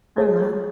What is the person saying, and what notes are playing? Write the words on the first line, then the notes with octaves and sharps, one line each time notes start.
Oh, my.
G#4 C#5